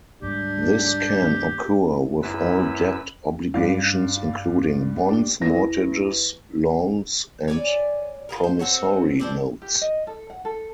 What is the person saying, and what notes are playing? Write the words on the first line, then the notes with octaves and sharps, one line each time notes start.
This can occur with all debt obligations including bonds, mortgages, loans, and promissory notes.
D2 G#2 G3 D4 G4
F#2 E4 B4 E6
G2 D4 F5
D4 G4 G7
E2 A#6
C#5 D5 G#5
F4 G4 G#4 A#4
C5
C4 F#4 A4 C#5
F3 C4 D5
G4
D#5
A4
F#5
A4